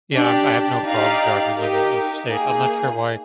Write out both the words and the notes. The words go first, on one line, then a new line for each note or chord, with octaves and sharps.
Yeah, um, I, have no problem driving on the interstate, I'm not sure why
D4 G4 D5
D#4 G4 D5 F5
D#4 G4 A#4
A#3 D#4 G#4